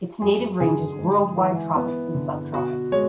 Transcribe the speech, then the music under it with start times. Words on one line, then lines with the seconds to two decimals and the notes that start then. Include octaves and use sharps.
Its native range is worldwide tropics and subtropics.
0.22 F#2 G#4
0.60 D3 G#4
0.99 G#2
1.38 E3
1.76 B3
2.15 D3
2.53 B2 F#4
2.92 G#3 C#5